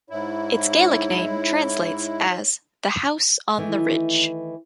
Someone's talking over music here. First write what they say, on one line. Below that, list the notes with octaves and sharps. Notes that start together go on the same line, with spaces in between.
Its Gaelic name translates as "the house on the ridge".
G#2 D#4 E4 C#5
D#3 E3 A3 E4